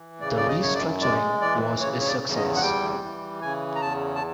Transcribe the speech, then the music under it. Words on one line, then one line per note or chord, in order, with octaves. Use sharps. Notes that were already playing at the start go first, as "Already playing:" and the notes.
The restructuring was a success.
Already playing: E3
C#3 D5
D5
D#5
F#2 C#5
D5
G#3 D5
E3 D5
C#3 C#5
C#5
D5
E2
D#5
F#5
G3 G5
E3
C#3 G#5
A#5
E2 A5
A5